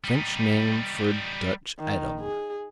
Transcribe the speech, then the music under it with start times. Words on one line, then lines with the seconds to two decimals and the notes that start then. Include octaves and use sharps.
French name for Dutch Edam.
0.04 G3 D#4
1.79 D#3
2.21 G#4